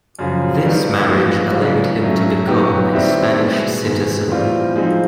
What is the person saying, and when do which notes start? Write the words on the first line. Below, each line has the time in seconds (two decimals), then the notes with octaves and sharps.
This marriage allowed him to become a Spanish citizen.
0.19 F#2 C#3 F3
0.65 G2 E3 G3 B3 D#4
1.10 A2 F3 G#3 B3
1.56 C#3 F#3 B3 D4 F4
2.01 A2 F#3 A3 C#4
2.47 A#2 F#3 B3 D#4 G4
2.93 D#3 G3 C4 E4
3.38 B2 G#3 B3
3.84 G#2 D#3 G#3 B3
4.29 A2 E3 G3 C4 F4
4.75 F3 G#3 C4 D#4